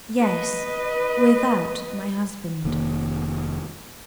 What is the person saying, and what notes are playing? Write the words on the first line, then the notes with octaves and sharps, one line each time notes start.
"Yes; without my husband."
B4 D#5
F1 D#3 A#3